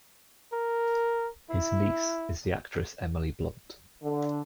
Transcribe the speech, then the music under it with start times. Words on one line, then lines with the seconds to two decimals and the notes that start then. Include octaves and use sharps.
His niece is the actress Emily Blunt.
0.53 A#4
1.50 E4
4.03 D3